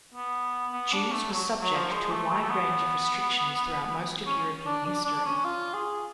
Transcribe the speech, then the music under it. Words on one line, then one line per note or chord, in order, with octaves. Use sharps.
Jews were subject to a wide range of restrictions throughout most of European history.
B3
B3
D4
A3
F#3
F#3
F3
G#3
A3
A3
A3
B3
C#4
D4
D4
D4
C#4
F4
G#4